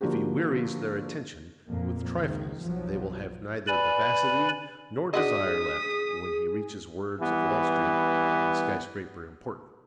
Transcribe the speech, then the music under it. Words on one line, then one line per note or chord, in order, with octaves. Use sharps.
If he wearies their attention with trifles they will have neither vivacity nor desire left when he reaches words of Wall-Street and skyscraper importance.
D3 F3 A#3 F#4 G4
F2 A#2 A#3
C#2 D#3
B1 F3 F#3
B4 D5 G#5 B5
D4 F#4 G#4 D#5 D#6 B6
E3 G3 B3